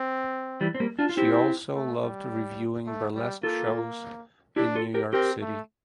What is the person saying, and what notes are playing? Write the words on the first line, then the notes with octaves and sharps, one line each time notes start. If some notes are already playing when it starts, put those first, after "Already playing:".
She also loved reviewing burlesque shows in New York City.
Already playing: C4
E3 G3
C4
G3 A#3
D4 F4
F4
C4 E4 G4
A3
G3
A3
G3
A#3 F4 A4
D4 E4 G4
F4 A4
G4 A#4
C4 G4 A#4
A3